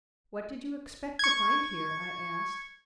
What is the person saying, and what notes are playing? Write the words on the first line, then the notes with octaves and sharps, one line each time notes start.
"What did you expect to find here?" I asked.
C#6 G#6